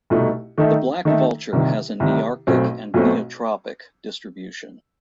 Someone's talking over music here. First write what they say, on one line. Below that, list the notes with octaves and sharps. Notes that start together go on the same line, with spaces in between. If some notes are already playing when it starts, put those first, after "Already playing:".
The black vulture has a Nearctic and Neotropic distribution.
C2 B2 A3 D#4
D#3 A3 D#4 A4 E5
D#3 A3 D#4 A4 E5
C2 C3 D#3
C2 C3 D#3
B1 B2 A3 C4
B1 B2 A3 C4